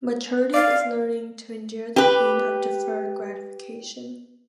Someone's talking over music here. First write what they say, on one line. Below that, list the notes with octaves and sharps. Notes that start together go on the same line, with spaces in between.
Maturity is learning to endure the pain of deferred gratification.
D5 F5
G4 B4